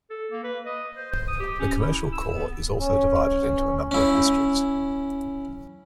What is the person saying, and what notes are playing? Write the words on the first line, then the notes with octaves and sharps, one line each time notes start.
The commercial core is also divided into a number of districts.
A4
A#3
B4
D#5
C5
C5
D#6
G4
C#4
E4
E6
B3
C#4
C#4 E4